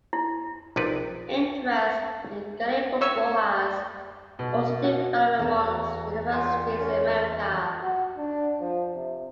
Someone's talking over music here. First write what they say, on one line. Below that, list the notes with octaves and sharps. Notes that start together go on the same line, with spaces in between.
Interest in Gaelic Football has also developed amongst universities in America.
E4
A#1 C3 D#4 B4 D5
C#5 C#6 E6
B2
F#4
E2 A5 A#5
F#4 A#5
A#2 G5 C6
C#4
F#4
D4
F3
C3